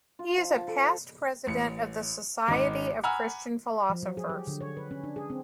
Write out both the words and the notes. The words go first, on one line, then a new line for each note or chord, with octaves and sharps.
He is a past president of the Society of Christian Philosophers.
F4
F3
A5
A4
A1 C#7
G#1 D#4 D6
F#5 G#5 A#5 B5 E6 F6
F3
F#3
G#4
G4
D3
C#5
B4
C#4
D4
G#4
C4